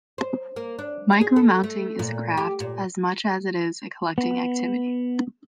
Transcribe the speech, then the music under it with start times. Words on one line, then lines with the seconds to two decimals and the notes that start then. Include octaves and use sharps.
Micromounting is a craft, as much as it is a collecting activity.
0.18 C5
0.56 A#3
0.79 D4
1.21 G#4
1.36 A4
1.64 A3
1.99 A#2
2.37 G4
2.60 A#2
4.18 B3